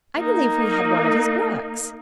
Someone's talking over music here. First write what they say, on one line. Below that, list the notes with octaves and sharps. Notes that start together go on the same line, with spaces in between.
I believe we had one of his books.
A#3 D#4